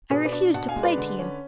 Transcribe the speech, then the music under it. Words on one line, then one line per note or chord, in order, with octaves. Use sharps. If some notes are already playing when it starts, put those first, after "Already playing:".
I refuse to play to you!
B2 G#4 B4
B4 D5
D4
B2 F#5 A5
F5 G#5
G#3
B4 D5
D3
C#4